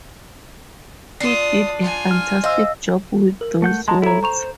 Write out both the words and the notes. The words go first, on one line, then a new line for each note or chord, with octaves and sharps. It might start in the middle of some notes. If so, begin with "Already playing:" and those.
He did a fantastic job with those words.
D4 F4 D#6 C7
F4 G#5
F6
C5 D#5 F5 E6
A#4
A3 F#5 G6
G#3 A5 A#5 C6
E4 A4 C#5 A#5
C5 A#5 C#6 F7